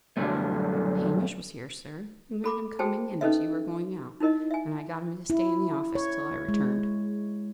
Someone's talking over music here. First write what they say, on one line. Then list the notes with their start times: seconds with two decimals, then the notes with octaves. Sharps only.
"Hamish was here, sir; you met him coming in as you were going out, and I got him to stay in the office till I returned."
0.17 B1 F#2 D3 D#3 G3 A3
2.44 A4 B5 D6
2.79 F#4 G#4 C5 G5 A5
3.21 C#4 D#4 A4 B4 D#5 E5
4.20 D#4 E4 A#4 D#5
4.51 E5 G#5
5.30 E4
5.95 C#5
6.49 G#3